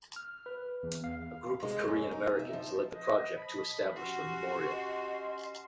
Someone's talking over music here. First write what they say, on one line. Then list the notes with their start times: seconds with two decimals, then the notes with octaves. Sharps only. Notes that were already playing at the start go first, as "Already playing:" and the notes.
A group of Korean Americans led the project to establish the Memorial.
0.16 F6
0.46 B4
0.83 E2
1.04 F5
1.63 G#3
1.88 F#2
2.12 D#4
2.39 E5
2.53 F3
2.95 B4 C5 D#5
3.38 F3 D#5 B5
3.95 C#4 F#4 G4 C6
4.72 D#5